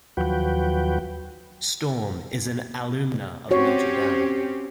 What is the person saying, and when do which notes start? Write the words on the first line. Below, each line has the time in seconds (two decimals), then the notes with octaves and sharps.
Storm is an alumna of Notre Dame.
0.17 D#2 F3 F#3 F#4 B4 G5
3.51 C4 C#4 F#4 G4 C#5